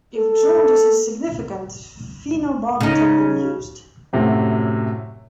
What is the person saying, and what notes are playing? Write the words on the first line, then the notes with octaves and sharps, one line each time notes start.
If jaundice is significant phenobarbital may be used.
A4
C#3 D#4
F#2 A2 C3 F#3